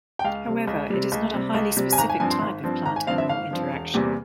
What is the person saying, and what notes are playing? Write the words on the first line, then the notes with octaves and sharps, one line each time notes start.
However, it is not a highly specific type of plant-animal interaction.
G5
C#2 F5
C3 G3
C#2
C3 G3
C#2
C3 G3
C#2
C3 G3
G#5
G#1 A#5
G#5
G2 F3 C4 G#5
C6
G#1
G2 F3 C4
G#1 A#5
G#5
G2 F3 C4 F5
E5
G#1 F5
G2 F3 C4
E1
E2 C3 G3 A#3